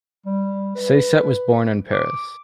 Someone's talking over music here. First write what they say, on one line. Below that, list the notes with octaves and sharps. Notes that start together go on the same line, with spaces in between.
Saiset was born in Paris.
G3
B4
D6